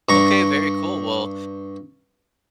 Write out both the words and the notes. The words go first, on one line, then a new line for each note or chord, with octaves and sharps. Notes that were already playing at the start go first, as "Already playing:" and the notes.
Okay, very cool. Well,
G2 A#5 C#6